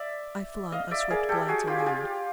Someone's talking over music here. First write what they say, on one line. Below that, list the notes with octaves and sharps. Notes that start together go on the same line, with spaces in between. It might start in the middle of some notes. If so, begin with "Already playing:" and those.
I flung a swift glance around.
Already playing: D5 E5
D#5 F5
D5 E5
G#4 A#4
G4 A4
F#4 G#4
F4 G4
G#4
F4 G4